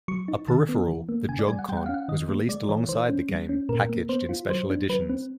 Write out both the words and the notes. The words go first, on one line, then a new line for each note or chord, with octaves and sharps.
A peripheral, the JogCon, was released alongside the game, packaged in special editions.
F#3 C#6
D#4
D#3 A5
B3
E3
A#3
C#3 G#5
D5
G3 G#5
F#5
G3 G5
F#5
C#4 F5
F#5
D#3 D#5
A#3
G#3 D5
E3 C#5
E3 C5
C#4
G3
C#4
A#2 A#4
A#3
B3 C5
F4
F#3 C5
D4
F#3 B4
C4